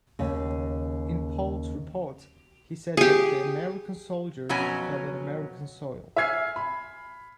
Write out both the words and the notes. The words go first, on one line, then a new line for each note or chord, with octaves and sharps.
In Polk's report, he said that the American soldiers fell on American soil.
D#2 C#3
G4 G#4
F2 B2 F#3 C#4 G#5
E5 G#5 F6 G#6 C7
B5